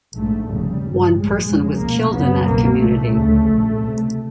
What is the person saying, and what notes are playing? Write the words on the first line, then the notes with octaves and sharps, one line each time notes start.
One person was killed in that community.
A#1 G#2 A3
F1 D#2 C#3 G3
G#1 G2
A#1 A2 G#3
F1 F2 C#3
C#2 B2 A#3
F#1 F#2 C#3 B3
C2 B2 A#3
C2 A#2 A3
D2 C#3
A#1 A#2
C#2 C3